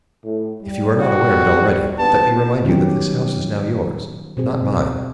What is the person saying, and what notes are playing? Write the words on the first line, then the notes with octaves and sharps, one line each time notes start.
If you are not aware of it already, let me remind you that this house is now yours; not mine.
A2
G3
F#4
G#1 G2 B3 A5
D#3 F#3 G3 B3 C#4 G4
B2 C4 G#4